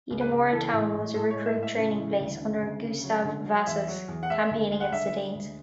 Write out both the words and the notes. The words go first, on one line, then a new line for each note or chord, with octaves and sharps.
Hedemora town was a recruit training place under Gustav Vasa's campaign against the Danes.
C#2
B4
C#2
E3 A4
A2
A2
A2 A4
C#5
G#3
E5
A2
E5
C#3
E3
D2
C#3
D2
C#3
F#3
D3
F#3
E2 E5
F#3
E2
F#5
G#3 E5
D2
G#3
F#5
D3 E5
G#3
D2